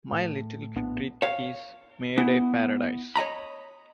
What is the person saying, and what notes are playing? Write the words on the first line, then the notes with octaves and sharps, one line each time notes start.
My little retreat is made a paradise.
A2
A#1 A2 B3 D4
C#5 F5
B3 E4
C#5 D#5 A#5 B5